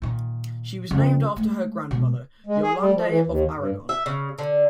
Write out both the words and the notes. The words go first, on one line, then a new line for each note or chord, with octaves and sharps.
She was named after her grandmother, Yolande of Aragon.
A#2 D#3
F2 C#3
G#3 A3
B2 G#3
G#3
G#4
G3
F3
E3
D#2
G2
E5
C#3
D3